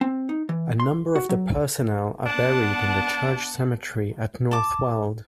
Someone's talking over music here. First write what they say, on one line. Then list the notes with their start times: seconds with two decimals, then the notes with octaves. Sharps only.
A number of the personnel are buried in the church cemetery at North Weald.
0.01 C4
0.29 D#4
0.49 E3
0.80 C6
1.15 F#4
1.29 F#3
2.26 B3 D4 F#5 A5
4.51 A5 D6